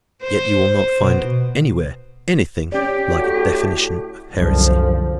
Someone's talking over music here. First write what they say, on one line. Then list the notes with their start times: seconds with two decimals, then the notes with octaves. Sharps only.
Yet you will not find anywhere anything like a definition of heresy.
0.24 C5
1.00 B2
2.72 C#4 G4 D5
3.16 A2 F#4 A4
4.32 C2 F#2 D3 F3